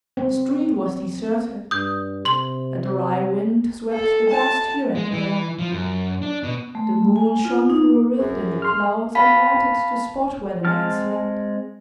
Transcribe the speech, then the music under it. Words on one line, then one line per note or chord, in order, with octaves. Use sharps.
The street was deserted, a dry wind swept the dust here and there; the moon shone through a rift in the clouds and lighted the spot where the man slept.
C4
G2 D#6 G6
C3 C6 F#7
A4
A5
G#3
E3
F3
F#2
D4
B2
A3
G#5
F4
D#4
F#2 G#4
C6 F6
F5 A5 B5 B6
G#3 C4 A5 F6